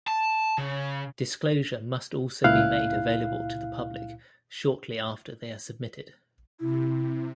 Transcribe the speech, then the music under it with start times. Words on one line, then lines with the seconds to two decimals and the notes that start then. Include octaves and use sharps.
Disclosure must also be made available to the public shortly after they are submitted.
0.08 A5
0.58 C#3
2.44 C#2 A#2 E4 F5 F#6
6.60 C3 E4